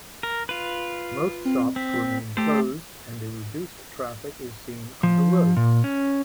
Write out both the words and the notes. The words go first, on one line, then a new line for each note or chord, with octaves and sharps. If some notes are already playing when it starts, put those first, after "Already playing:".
Most shops remain closed and a reduced traffic is seen on the roads.
A#4
F4 B4
C4
C4 B6
A3 G4 A4 C5
F3
A#2
C#4